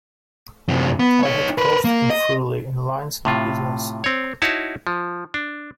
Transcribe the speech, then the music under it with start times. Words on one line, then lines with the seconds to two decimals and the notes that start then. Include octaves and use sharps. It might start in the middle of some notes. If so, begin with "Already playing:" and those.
I had coached him thoroughly in lines and business.
0.68 F#2 C3
0.99 B3
1.23 D#4 C#5
1.58 A#4 B4
1.84 A#3
2.10 D#5
3.25 A2 C3 F4
4.04 C4 C#5
4.42 D#4 E4 F#4 C#5 A5
4.87 F3
5.34 D4